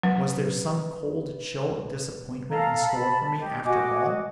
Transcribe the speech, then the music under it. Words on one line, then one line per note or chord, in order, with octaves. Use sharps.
Was there some cold chill of disappointment in store for me, after all?
F#3 B4
A4 F5 A5 A#5
A5 B5
G4 D#5
F#4 D#5 G#5 D6